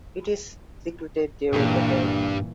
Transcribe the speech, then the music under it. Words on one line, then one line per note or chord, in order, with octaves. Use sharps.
It is secretive during the day.
G2 A#2 E3